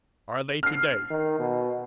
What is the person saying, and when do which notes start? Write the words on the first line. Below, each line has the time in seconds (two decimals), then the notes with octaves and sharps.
Are they to-day?
0.63 F6 C7
1.10 D#3
1.39 B2